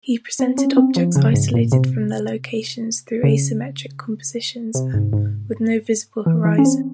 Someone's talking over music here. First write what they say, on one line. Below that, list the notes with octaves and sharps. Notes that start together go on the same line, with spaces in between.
He presented objects isolated from their locations through asymmetric compositions with no visible horizon.
C4
C#4
C4
F3
C#3
G#2
A#2
C3
C#3
C3
G#2
G#2
E3
E3
C#4
C4